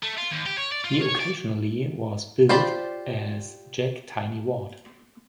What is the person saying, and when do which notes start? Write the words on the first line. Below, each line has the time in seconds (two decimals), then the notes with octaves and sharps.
He occasionally was billed as Jack "Tiny" Ward.
0.03 A3
0.18 F4
0.32 D#2
0.47 G4
0.58 C#5
0.72 D5
0.85 F4
1.00 C#5
1.19 D5
2.49 F4 G4 C5 D5 B5